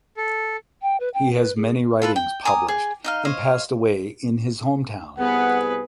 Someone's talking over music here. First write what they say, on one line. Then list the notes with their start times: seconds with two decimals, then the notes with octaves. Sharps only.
He has many writings published and passed away in his hometown.
0.17 A4
0.82 G5
1.00 B4
1.14 G5
1.37 B4
1.57 G#4
2.02 F4 A4 B4
2.16 G5
2.45 G#5 A#5 D6 D#6
2.68 G#4
3.04 D#4 D#5 F5
3.25 C5 C#5 D#5 F5
5.19 C2 B3 G#4 B4 F#5